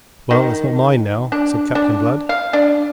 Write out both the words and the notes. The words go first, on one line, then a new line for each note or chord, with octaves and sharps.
"Well, it's not mine, now," said Captain Blood.
D#3
D4
D4
F5
D4